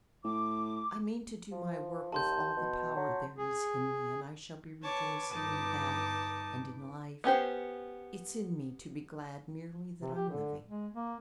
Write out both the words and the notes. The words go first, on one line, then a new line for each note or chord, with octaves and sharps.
I mean to do my work with all the power there is in me, and I shall be rejoicing in that and in Life--it's in me to be glad merely that I'm living.
A2 D6
F3
D#2 A5 C6 G6
B2
F#3
G#4
B4 C#5 A5 D6
G1 D#4 A5
B3 C#4 G4 C5
C3
G4
D3
G#3
A#3